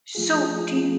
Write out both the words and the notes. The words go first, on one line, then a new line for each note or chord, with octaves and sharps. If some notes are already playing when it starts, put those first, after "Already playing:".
So, do you
F3 A3 F4 G#4